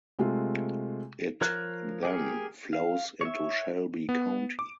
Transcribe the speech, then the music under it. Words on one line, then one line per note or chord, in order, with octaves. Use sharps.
It then flows into Shelby County.
C3 G#3 A3 F4
F3 A#4 C#5 A#5 F#6
G4 G#4 A#4
F5
C#5 E5
B3
D6